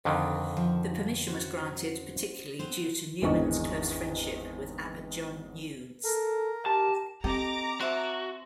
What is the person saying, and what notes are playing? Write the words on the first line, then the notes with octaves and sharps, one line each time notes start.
The permission was granted particularly due to Nouwen's close friendship with Abbot John Eudes.
F2 D3 D#3
F3
C#4 F#4 C5
B3 C4 C5
G#1 E2 D3 D#5 C#6
A4 A#4
G4 A5
C4 G4 A4 D#5 A#5 D6
F#4 C5 E5 A5